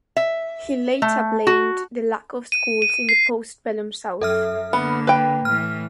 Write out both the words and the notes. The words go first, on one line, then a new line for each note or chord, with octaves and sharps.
He later blamed the lack of schools in the postbellum South.
E5
A3
F#4
D#7
D#7
C7
F#2 A4 E5 F6
D3 A#3 B3 B5
B4 G5
A2 E3 F6